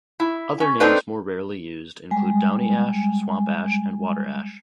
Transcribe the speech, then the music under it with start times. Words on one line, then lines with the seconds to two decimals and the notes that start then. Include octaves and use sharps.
Other names more rarely used include downy ash, swamp ash and water ash.
0.20 E4
0.60 C#4
0.80 C4 D4 D#4 A4 B4 C5
2.11 G3 G#3 G#5